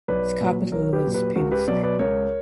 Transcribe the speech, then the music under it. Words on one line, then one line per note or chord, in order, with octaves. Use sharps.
Its capital was Pinsk.
B1 B4 D5
A#2 F#3
B1 A#4 C#5
G4 B4
A#2 F#3
G4 B4
C#2 F#4 A#4
G4 B4
B2 F#3 B4 D5
B4 D5
C#2 A#4 C#5